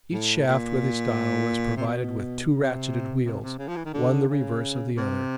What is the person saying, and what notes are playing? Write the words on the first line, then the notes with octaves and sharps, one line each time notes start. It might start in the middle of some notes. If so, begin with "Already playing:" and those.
Each shaft with its dial was provided with two ratchet wheels, one the reverse of the other.
A2
A#2
C3
B2
C3
C3
C3
C#3
F3
E3
D#3
D3
C#3
C3